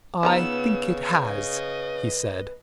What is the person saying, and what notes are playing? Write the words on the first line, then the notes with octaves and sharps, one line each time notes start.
"I think it has," he said.
C#3 B3 D#4 F4 B4 A#5 E6
D#5